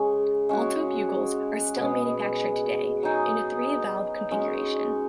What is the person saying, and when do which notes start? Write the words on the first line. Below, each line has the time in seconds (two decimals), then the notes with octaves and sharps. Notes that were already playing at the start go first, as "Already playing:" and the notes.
Alto bugles are still manufactured today in a three valve configuration.
Already playing: C#3 G#3 C#4
0.49 G#3 C#4 F#4
1.76 B2 G#3 B3 G#4
3.03 F#3 D#4 G#4
4.31 G#3 C#4 F#4